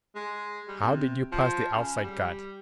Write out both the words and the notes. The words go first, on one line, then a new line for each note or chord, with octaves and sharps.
"How did you pass the outside guard?"
G#3
G3
C3
F3
C#3
G3